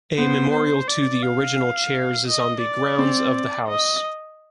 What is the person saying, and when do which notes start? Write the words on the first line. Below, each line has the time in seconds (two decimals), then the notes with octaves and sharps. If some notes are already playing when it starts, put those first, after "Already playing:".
A memorial to the original chairs is on the grounds of the house.
0.18 B3 C5
0.53 C5
0.88 D5
1.22 F5
2.28 D#5
2.63 D5
2.98 C4
3.68 D#5